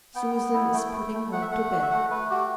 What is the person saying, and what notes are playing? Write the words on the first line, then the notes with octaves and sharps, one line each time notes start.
"Susan is putting her to bed."
B3 G5
B3
E4
A3 G5
A3
A3
A3 F#5
E5
A3 F#5
F#4
E5
A3 F#5
A3 B4
F#4 G4